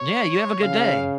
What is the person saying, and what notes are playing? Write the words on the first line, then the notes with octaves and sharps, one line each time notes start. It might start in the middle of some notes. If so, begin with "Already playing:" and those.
Yeah, you have a good day.
Already playing: C#5
C#3 F5